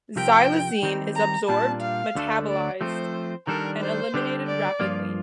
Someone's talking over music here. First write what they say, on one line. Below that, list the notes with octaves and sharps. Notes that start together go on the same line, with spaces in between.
Xylazine is absorbed, metabolized, and eliminated rapidly.
C3 F3 C4 G4 A#4 G5
D#3 G3 C4 D#4
A#5
A#2 G3 D4 A5
F5
D2 D3 A3 D4 A4
D5
F3 A3 C4 C5
D#3 G3 D4 A4 A#4
C5
D3 G3 D4 G4
D5
G2 F3 A#3 F4